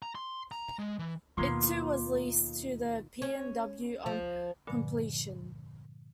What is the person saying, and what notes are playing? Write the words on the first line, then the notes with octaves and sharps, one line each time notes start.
It too was leased to the P and W, on completion.
A#5
C6
A#5
G#3
E3
D#2 B2 D#3 A#3 B3 F4 C6
C#4
F3
G2 A#2 D3 F3 G#3 B4